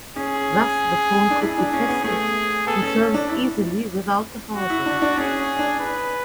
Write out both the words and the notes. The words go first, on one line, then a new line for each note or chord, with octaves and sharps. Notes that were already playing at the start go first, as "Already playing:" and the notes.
Thus, the phone could be tested and serviced easily without the housing.
C#4 G#4
D4
E4 G#4
D4
C#4
B3
A3 G#4
B3 A4
C#4
C#4
D4
E4
F#4
E4
D4
D4
C#4 G#4
D4
B4